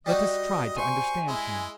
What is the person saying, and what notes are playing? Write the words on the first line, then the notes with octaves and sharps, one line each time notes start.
Let us try to understand him.
G3 D#4 F#4 D#5
C5 G#5 C#6
G#3 E4